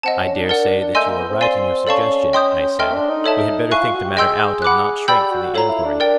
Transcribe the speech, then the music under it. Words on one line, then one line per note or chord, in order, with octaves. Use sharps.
I dare say that you are right in your suggestion, I said; we had better think the matter out, and not shrink from the enquiry.
C4 D#5 F#5 A5
C#4
D4
D#4
D4 A#4 D5 F#5
D4
D4
A3 D#5 G#5 C6 E6 G6
A#3
B3
C4
D5 F5 G#5 C6
C#4 A4 D5 F5 A5 C#6
D#5 G5 C6 D#6 G6
A3 D#5 G5 C6 F6
D4
D#4
A4 C#5 E5 A5
E4 F5 G#5 C#6 F#6
F4
F#4
G4
G#4 D#5 G5 C6 E6 G6
F#5 B5 D6 F#6
G4 D5 G5 B5 E6 G6
G4
F#4
F#4
F4 A4 C#5 F5 A#5
E4
D4
A#4 D5 G5